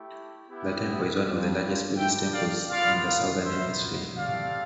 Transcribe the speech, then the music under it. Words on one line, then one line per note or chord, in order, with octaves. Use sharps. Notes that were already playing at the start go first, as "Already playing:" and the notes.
The temple is one of the largest Buddhist temples in the southern hemisphere.
Already playing: A3 E4 G4
B3 E4 G4
G3 D4 F4
G3 D4 G4 E5 G5
D5 F5
B3 F4 D5 F5
B3 F4 C5 E5
A3 C4 G4 D5 F5